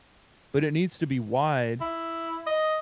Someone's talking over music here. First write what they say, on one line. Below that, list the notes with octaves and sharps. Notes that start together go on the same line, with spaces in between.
but it needs to be wide
E4
D#5